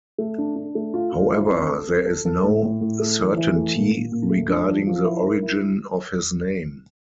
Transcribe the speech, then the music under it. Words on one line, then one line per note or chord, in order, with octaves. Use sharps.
However, there is no certainty regarding the origin of his name.
A3
D4
D4
A3
F4
F4
E4
C4
A4
C4
A4
A4
A2
A2
A2
A3
E3
E3
A3
A#2
A#2
A#2
A3
D4
F3
F3
E4
A#4
E4